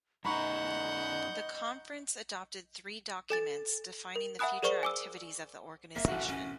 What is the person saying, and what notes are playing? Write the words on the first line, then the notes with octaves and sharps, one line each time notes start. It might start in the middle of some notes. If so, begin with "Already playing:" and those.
The conference adopted three documents defining the future activities of the organization.
F#2 D#4 D#5 F#5 A#5 B5 C#6 G6
A4 G#5 A6
A#4
E5 F#5 G#5 B5 D#6 F#6
G#4 A#4 C5 D5 C#6 G7
G#5 D6 E6
D1 D#2 D#3 A#3 E5
A1 E2 F#4
D#2 C#4
B2 F3 C4